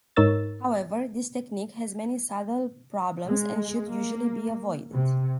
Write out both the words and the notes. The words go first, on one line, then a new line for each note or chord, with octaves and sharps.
However, this technique has many subtle problems and should usually be avoided.
G#2 D#4 A#4 C#5 E6 A6
G#3
A#3
C3